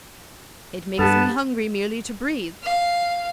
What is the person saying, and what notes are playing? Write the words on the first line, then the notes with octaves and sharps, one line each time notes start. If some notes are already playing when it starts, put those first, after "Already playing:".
It makes me hungry merely to breathe.
G2 B3 G4 A4 A5
F5